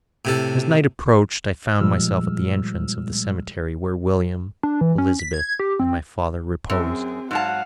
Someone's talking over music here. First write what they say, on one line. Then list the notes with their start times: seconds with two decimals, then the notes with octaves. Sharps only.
As night approached I found myself at the entrance of the cemetery where William, Elizabeth, and my father reposed.
0.25 A2 C3 A4
1.80 A#2 F3 G3 G#3 E6 F6
4.63 D4
4.81 E3
4.98 C#4
5.19 B6
5.33 G#6
5.59 G4
5.79 C4
6.70 F#2 C4 G#4
7.31 G#2 F#3 F5 F#5 A5